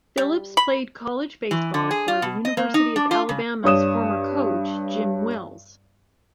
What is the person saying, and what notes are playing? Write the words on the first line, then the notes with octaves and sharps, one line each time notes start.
Phillips played college baseball for the University of Alabama's former coach, Jim Wells.
G3
B5
E3
D3
G#4
F4
B2
D#5
A#3
D#4
D4
F4
C#3
G2 C#5 D#6 E7